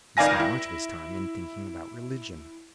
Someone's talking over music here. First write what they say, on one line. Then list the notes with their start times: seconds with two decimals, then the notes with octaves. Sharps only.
He spent much of his time in thinking about religion.
0.17 C#2 D#3 D5 F5 G#5 A#6
0.40 E4